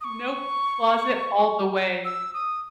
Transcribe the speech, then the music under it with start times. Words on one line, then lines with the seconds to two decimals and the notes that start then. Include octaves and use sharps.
Nope, closet all the way.
0.01 D#6
0.04 C#6
2.05 E6
2.34 D#6